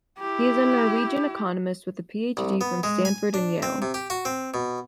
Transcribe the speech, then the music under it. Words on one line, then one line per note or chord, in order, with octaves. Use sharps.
He is a Norwegian economist, with a PhD from Stanford and Yale.
E4 G4
C2
B3
G#3
G#5
D4
C4
C3
G4
F#4
C4
B2